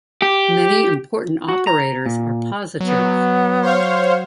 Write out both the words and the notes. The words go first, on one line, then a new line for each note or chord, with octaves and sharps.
Many important operators are positive.
G4
F#4
A#5
A#2
F#3 B3
C5 C#5 F5